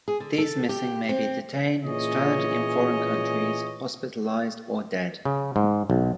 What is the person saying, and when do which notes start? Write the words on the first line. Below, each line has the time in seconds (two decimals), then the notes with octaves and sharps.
These missing may be detained, stranded in foreign countries, hospitalized or dead.
0.08 G#4
0.20 D3
0.38 A4
0.69 G4
1.09 C4
1.84 A#2 E3 C#4 G#4 C#5 D#5
5.25 C#3
5.56 G#2
5.90 B1